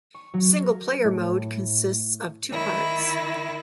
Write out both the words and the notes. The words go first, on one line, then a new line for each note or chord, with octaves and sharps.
Single player mode consists of two parts.
C#6
F#3
A#4
A2
D#3 E4